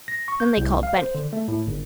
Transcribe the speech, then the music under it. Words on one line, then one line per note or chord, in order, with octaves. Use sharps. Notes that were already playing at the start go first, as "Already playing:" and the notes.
Then they called Benny.
A#6
C#6
G6
C2
F5
C5
D3
A3
A2
G1